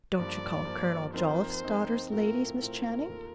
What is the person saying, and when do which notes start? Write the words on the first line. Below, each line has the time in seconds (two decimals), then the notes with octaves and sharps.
"Don't you call Colonel Jolliffe's daughters ladies, Miss Channing?"
0.16 G2 F3 A#3 D5
0.65 G2 F3 A#3
1.13 F3 C4 D#4 A#4 C5
1.63 F3 C4 D#4 A#4
2.11 A2 A3 C4 F4 A#4
2.60 A2 A3 C4 F4 A#4
3.09 D#2 D#3 A#3 F4 A4